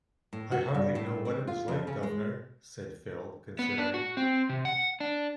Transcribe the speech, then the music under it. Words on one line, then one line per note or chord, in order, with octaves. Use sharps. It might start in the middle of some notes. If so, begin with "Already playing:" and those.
"I hardly know what it was like, guv'nor," said Phil, considering.
A2
F#4
G2
A2
C4
F4
F2
C#3
G#3
B3
D4
F#4
C4
C3
F#5
D4